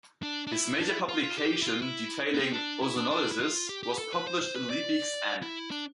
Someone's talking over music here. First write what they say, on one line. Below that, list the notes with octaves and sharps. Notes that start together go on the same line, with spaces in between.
His major publication detailing ozonolysis was published in Liebigs Ann.
D4
D4
E4
D4
E4
F4
F4
G4
E4
F4
E4
B3
C4
D4
E4
D4
D4
E4
F4
G4
G4
A4
B4
C5
C5
B4
D5
E4
D4